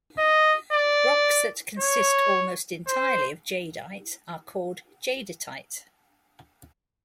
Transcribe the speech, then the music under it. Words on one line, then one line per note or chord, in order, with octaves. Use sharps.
Rocks that consist almost entirely of jadeite are called jadeitite.
D#5
D5
C#5
C5